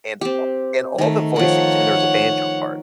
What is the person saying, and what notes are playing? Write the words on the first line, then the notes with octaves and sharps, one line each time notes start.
And al and all the voicings and there's a banjo part,
C4 G4
D#3 A3
D#3 F3 C#5 F#5